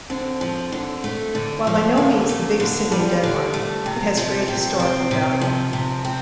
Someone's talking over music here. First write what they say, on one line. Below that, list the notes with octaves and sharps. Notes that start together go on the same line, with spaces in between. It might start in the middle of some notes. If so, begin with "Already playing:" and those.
While by no means the biggest city in Denmark, it has great historical value.
D3 C4
F3
D3
A3
D3
F3
D3 A#3
A3
D3
F3 G3
D3
A3
C3
F3
C3
C4
C3
F3
C3
C4